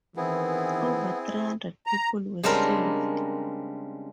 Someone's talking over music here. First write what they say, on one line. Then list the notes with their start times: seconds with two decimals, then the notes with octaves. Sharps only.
Over three hundred people were saved.
0.17 D#3 E3 B3 C4 E4 G#4
1.87 A#5
2.43 C#3 G3 G#3 C4 D4 A#4